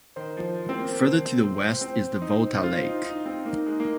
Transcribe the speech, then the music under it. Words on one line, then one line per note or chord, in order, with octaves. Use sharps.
Further to the west is the Volta Lake.
D#3 C5
F3
C4
A#3
C4
D#4
F4
D#4
D#4
C4
A#3 D#4
G#3
A#3